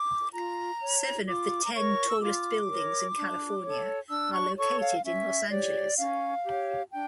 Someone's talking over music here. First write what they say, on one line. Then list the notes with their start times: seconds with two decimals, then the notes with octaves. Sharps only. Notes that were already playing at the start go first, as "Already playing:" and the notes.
Seven of the ten tallest buildings in California are located in Los Angeles.
Already playing: D6
0.33 F4 A#5
0.80 C#5
1.27 F4 D6
1.64 A#5
1.74 A#4 C#5 C#6
2.09 E6
2.21 F4 D6
2.69 A#4 C#5
3.16 D4
3.63 A4 C#5
4.09 D4 E6
4.33 C#6
4.57 A4 C#5 C#6
4.80 F5
5.03 C#4 E5
5.50 G4 C#5 D5
5.97 C#4 F5
6.44 G4
6.49 C#5
6.91 D4 G5